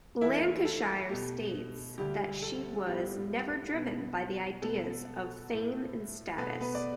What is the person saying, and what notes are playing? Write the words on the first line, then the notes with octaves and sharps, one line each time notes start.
Lancashire states that she was never driven by the ideas of fame and status.
E2 E3 A3 E4 E5
A4
B2 A3 G4
D2 D3 G3 G4
A4
A2 G3 B3 G4
B2 B3
B2 B3 A4
A2 A3
B2 A3 B3 B4
B3 B4
D5